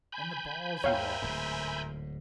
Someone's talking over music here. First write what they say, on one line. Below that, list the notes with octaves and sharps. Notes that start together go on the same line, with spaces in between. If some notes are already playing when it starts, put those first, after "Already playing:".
And the balls he lost!
G#5 B5 G6
D#2 A#4 C5 C#5 E5 F5 G5
D1 G#2